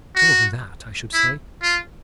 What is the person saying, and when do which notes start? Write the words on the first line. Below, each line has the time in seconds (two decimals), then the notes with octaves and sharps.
More than that, I should say.
0.16 F#4
1.14 E4
1.62 F4